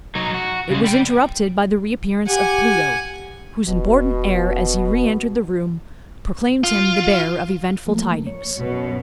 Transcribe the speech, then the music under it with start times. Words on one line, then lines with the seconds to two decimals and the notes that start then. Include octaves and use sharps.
It was interrupted by the reappearance of Pluto; whose important air, as he re-entered the room, proclaimed him the bearer of eventful tidings.
0.15 F#3 D#4
0.34 F#4
0.70 C#3 G#3
0.84 G3 G5
2.27 G4 F#5 G#5
3.68 E1 B2
6.64 F4
7.86 F3 A3 A#3
8.27 C#5
8.59 F#2 B2